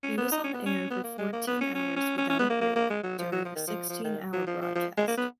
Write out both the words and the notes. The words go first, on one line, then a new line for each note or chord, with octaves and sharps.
He was on air for fourteen hours without a break, during a sixteen-hour broadcast.
C#4
B3
D#4
C#4
B3
C#4
B3
A#3
G#3
A#3
B3
C#4
C#4
C#4
C#4
C#4
B3
A#3
A#3
A#3
G#3
F#3
F3
F#3
F3
D#3
F3
F3
D#3
F#3
F3
F3
F3
G#3
A#3
B3